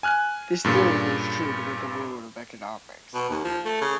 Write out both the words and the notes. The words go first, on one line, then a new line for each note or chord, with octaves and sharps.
This theory holds true within the world of economics.
G#5 F6 F#6
G2 A#2 C#3
B2
D#2
F3
A3
C#3